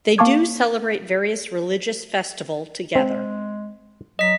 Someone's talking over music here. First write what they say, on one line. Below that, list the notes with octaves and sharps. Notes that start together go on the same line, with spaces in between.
They do celebrate various religious festival together.
A#3 F5 A5 C#6 D6 G#6
G#3 C4
F#3 D#5 B6